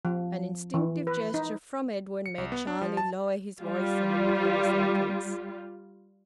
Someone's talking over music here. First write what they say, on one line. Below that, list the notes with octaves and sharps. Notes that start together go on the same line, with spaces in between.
An instinctive gesture from Edwin made Charlie lower his voice in the middle of a sentence.
F3
E3
B4
D#4
C#7
C2
B3
D4
F3
A5
G3 F4